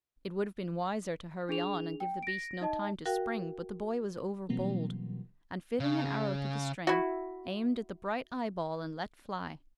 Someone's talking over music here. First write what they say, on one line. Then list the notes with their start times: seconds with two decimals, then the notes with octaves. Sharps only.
It would have been wiser to hurry on and give the beast no time to spring; but the boy was over bold, and, fitting an arrow to the string, aimed at the bright eye-ball and let fly.
1.49 D4 G#4 F7
2.00 G5
2.23 A#6 D7
2.61 D#4 D#5 A5
3.06 F#4 A#4 F5 G5
4.49 B2 E3 F#3 G3 A#3 C4
5.80 C#3
6.87 E4 F#4